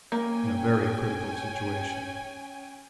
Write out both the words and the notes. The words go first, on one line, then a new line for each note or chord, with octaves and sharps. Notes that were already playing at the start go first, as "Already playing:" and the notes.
In a very critical situation.
A#3 C#4 G5 G#5